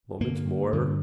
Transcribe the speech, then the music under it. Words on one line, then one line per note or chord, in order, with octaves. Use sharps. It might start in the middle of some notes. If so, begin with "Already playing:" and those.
Moment more.
G2 D3 A#3
G2 D3